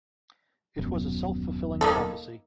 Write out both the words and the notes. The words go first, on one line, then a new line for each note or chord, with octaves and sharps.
It was a self-fulfilling prophecy.
D#1 F#2 B2
A#3 D#4 A4